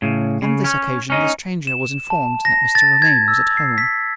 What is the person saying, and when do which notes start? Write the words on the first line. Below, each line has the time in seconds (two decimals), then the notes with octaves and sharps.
On this occasion, the stranger was informed that Mr. Romayne was at home.
0.02 A2 C#3
0.42 C#3
0.64 C#4
1.10 C#4 D#4
1.67 E7
2.10 A5
2.45 A#6
2.75 A6
3.02 G#6
3.28 E6
3.57 C7
3.78 B6